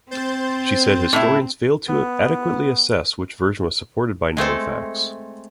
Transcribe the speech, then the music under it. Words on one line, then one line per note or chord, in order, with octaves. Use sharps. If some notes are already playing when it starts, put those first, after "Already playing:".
She said historians failed to adequately assess which version was supported by known facts.
C4 C5 G6 A6
A2 E4
B3
G#3 A3 C4 A4